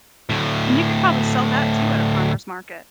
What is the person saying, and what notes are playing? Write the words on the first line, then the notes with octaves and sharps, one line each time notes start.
and you could probably sell that too at a farmer's market.
D2 A2